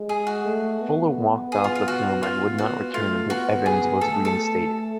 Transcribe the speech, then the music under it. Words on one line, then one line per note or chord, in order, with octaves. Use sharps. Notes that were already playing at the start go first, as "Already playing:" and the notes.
Fuller walked off the film and would not return until Evans was reinstated.
Already playing: G#3
G#4
F#4
A3
B3
G#4
F4
F4
F#4
B3 F4
F#4
A3 F4
B3 F#4
G#4
A3 A4
A4